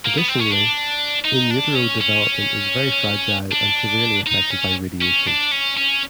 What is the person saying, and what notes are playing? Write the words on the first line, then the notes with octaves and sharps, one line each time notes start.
Additionally, in-utero development is very fragile and severely effected by radiation.
A#3
B3
C4
C#4
D4
D#4
D4
C#4
C#4
D4
D#4
C#4
C#4
D4
C#4
C#4